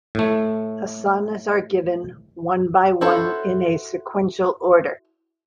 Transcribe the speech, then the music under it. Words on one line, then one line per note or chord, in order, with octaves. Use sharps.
Asanas are given, one by one in a sequential order.
A2 A3
E4 F#4 A4 C5 C#5